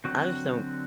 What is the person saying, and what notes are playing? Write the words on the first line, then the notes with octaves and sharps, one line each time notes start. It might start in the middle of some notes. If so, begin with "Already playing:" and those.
I just don't
D3 F#3 C4 F#4